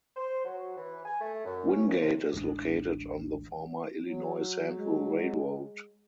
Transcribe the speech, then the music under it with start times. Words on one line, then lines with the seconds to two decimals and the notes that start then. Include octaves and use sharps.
Wingate is located on the former Illinois Central Railroad.
0.16 C5
0.44 F#3
0.77 E3
1.05 G#5
1.21 A3
1.45 F#2
1.68 C#4
1.87 D#2
2.00 C3
2.34 D1 A1 G#3 D4
4.05 F#3
4.79 G#3